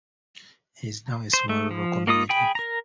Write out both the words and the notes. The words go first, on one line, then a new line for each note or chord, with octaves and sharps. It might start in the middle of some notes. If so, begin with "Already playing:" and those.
It is now a small rural community.
C5
A3
F3
A#3 D#4 F4 D#6
G#4 G5 B5
A#4 A#5